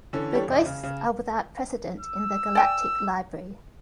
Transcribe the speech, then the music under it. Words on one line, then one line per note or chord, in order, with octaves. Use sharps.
The ghosts are without precedent in the galactic library.
D3 E3 C#4 A4
E3 G3 D4 G4 A4 C#5
E1 D#5
C#3
C#3
E6
D5 G5 G#5